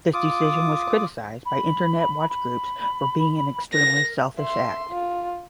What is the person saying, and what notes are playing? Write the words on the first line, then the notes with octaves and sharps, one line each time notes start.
This decision was criticized by internet watch groups for being an extremely selfish act.
F4 D6 D#6
B5
B5
A#4 A#6
E5 C6
F4